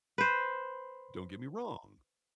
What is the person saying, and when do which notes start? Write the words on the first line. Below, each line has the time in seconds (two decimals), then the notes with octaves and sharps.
don't get me wrong,
0.18 B4 C5